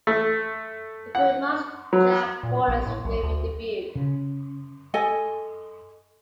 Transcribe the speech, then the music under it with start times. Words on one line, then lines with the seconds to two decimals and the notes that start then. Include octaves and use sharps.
The film marks Jack Warden's movie debut.
0.07 A3
1.15 F#5
1.93 F#3
2.43 A#2
2.68 A#1
2.86 A2
3.05 B1
3.23 D2
3.95 C#3
4.94 A4 D#5 G#5